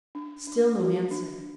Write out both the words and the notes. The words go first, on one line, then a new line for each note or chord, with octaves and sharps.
Still no answer.
D4
D4
F#4
D4